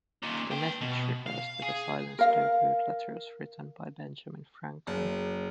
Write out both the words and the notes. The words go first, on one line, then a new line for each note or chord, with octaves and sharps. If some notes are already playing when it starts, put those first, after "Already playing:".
The message refers to the Silence Dogood letters written by Benjamin Franklin.
D#2 A#2
B4 G5
B2
F5
G#4
A#4 F5
F#1